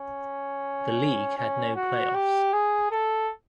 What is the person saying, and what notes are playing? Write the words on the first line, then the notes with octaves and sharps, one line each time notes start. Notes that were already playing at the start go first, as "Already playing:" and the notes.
The league had no playoffs.
Already playing: C#4
C#4
F#4
G4
G#4
A4